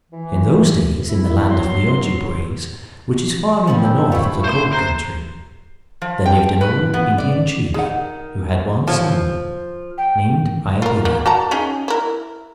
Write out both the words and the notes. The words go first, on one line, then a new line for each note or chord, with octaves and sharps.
In those days in the land of the Ojibways, which is far in the north of the cold country, there lived an old Indian chief who had one son, named Iadilla.
E3
E4
F#3 C6
F3 G3 F4 G4
D4 G#4 A#4 E6 G6
A3 E4 F4 F5 B5 C#6
A2 A#3 C5 E5 C6
C5 A#5 F#6
F3
G5
B4
B3
D5
D#3 G#4 F#5
F3 A4 C#5 A5
G5
F4 A#4
A#3
F#4 A5 A#5
C#4 D#4 G#4
E4 A#4